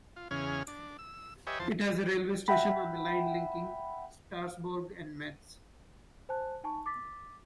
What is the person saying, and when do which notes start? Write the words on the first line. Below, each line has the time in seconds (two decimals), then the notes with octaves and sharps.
It has a railway station on the line linking Strasbourg and Metz.
0.16 F4
0.31 E2 C#3 C#4 G#4 F6
0.68 D4
0.99 E6
1.47 G4 B4 C#5 D#5 E5 G#5
1.59 E2 F3 C5 A5
2.48 E5 F#5 G5 B5
6.29 C5 G#5 A5 F#6
6.64 D#4 G#5 A5 C#6
6.86 D6 A6 B6